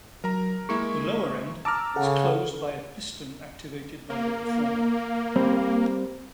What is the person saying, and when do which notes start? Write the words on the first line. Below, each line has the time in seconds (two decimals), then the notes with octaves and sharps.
The lower end is closed by a piston activated by the performer.
0.24 F#3 A#4 A#5
0.69 G#3 A#3 E4 C#6
1.65 A5 A#5 D6 E6 F6
1.96 C#3 A4 F#5
4.10 A#3
5.36 G3 C4